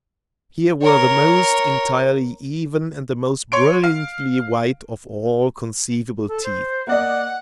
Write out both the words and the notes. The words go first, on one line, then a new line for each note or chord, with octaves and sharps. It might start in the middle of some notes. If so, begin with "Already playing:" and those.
Here were the most entirely even, and the most brilliantly white of all conceivable teeth.
A#4 C#5
C#5 C6 D7
F5
A4
C5
A#3 D5 D#5 F#5